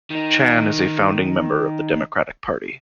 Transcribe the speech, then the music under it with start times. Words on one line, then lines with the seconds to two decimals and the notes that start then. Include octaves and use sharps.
Chan is a founding member of the Democratic Party.
0.11 D#3 D#4